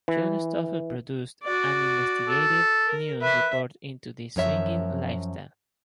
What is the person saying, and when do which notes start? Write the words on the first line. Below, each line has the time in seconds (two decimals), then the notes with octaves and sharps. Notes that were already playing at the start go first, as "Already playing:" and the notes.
John Stossel produced an investigative news report into the swinging lifestyle.
0.08 E3
1.43 F#4 D5
2.28 A4
2.87 A#4
3.22 B4 E5
4.36 F#2 F3 C#5 E5